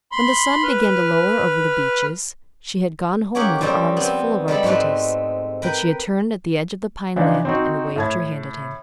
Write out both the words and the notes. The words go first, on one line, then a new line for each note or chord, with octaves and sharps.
When the sun began to lower over the beeches she had gone home with her arms full of arbutus, but she had turned at the edge of the pineland and waved her hand at him.
B5 C6
B4 F6
A#3 C#4 G4 G#4 F#5
F2 G3 C4 C#4
B3 C4
G3 G#3 A4 B5
G#2 G#3 A3 C4 B4
A#4 B4 G5
E3 F3 D4 D#4
C4 D#4 F#4
A2 A5 G#6